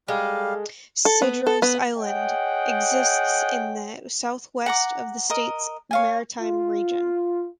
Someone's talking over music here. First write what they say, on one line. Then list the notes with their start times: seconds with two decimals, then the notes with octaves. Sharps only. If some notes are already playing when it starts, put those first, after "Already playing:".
Cedros Island exists in the southwest of the state's maritime region.
0.08 G3 G#3 G4 A4 F5
1.05 A4
1.22 B3
1.47 A4
1.62 B3
1.97 G#4 C#5 D#5 F#5 G5
4.66 F#5 A#5 D6
5.30 A#4 D#5
5.91 C#5 F5 G#5
6.40 F4